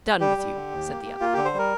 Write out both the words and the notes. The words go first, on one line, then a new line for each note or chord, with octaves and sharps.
"Done with you," said the other.
G3 G4
G3
D3
D#2
A#3
A#3
A#3 F4
D3 G4
C5
G3 A#4